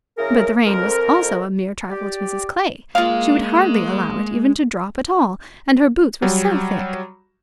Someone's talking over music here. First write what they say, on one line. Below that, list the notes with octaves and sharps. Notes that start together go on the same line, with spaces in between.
But the rain was also a mere trifle to Mrs Clay; she would hardly allow it even to drop at all, and her boots were so thick!
C#3 F#3 E4 G#4 A#4
F2 A#4
G4 D5
G#3 A#3 F4 F5
F#3 G3